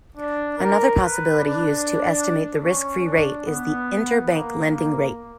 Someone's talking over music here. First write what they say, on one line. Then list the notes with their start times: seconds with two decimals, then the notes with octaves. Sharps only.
Another possibility used to estimate the risk free rate is the inter-bank lending rate.
0.17 D4
0.58 A#4
1.00 B4
1.41 D4
2.64 C#4
3.05 D4
3.46 B3
4.29 A#3
4.69 A#3